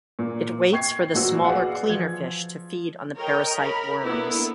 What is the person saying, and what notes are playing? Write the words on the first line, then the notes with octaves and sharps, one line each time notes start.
It waits for the smaller cleaner fish to feed on the parasite worms.
A#2
G5 C#6 G#6 C7
A1 A#2 F#4 C5 E6
F#4 G#4 B4 D5 F5 F#5
F3 G#6
A#4 C#5 D#5 G5
A#4 B5
A#3 B3 D4 E4 A4 B4